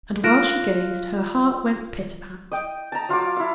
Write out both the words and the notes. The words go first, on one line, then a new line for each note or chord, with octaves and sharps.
And while she gazed her heart went pitapat.
F4 F#6 A#6 D7 E7
D#5 G5
A5 A#5
F#3 F4 F5 D6
E4 F5